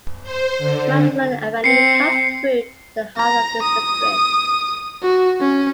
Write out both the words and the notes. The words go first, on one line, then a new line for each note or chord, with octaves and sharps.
Madison Avenue cuts through the heart of this district.
C5
D3
C4 C7 C#7
A#5
D#6
F#4
C#4